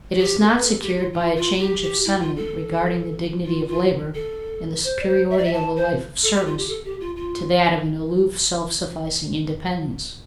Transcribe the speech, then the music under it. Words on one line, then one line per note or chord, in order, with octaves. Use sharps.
It is not secured by a change of sentiment regarding the dignity of labor, and the superiority of a life of service to that of an aloof self-sufficing independence.
G4
A4
B4
A4
G4
F4
F4
F4
G4
G4
E4
F4
A4
F4
F4
A4
C5
D5
C5
E5
D5
E5
A5
C5
A4
G4
F4
G4
A4
G4
F4
F4